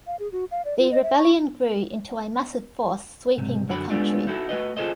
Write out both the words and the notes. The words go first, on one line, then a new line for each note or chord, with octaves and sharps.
The rebellion grew into a massive force sweeping the country.
F5
G#4
F#4
F5
D5
F4
D#5
E5
C#6
B1 G#2 C3
F#2 D3 F#4 B5
G#3 A3 B3 D4 F4 G4
D#4 E4 F#4 A4
A3 F#4 B4 D#5
F4 G#4 A4 C5 D#5